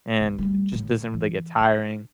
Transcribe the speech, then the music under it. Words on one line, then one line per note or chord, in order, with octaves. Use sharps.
and it just doesn't really get tiring.
B1 B3
G3 A3
A2 D3
E3
D4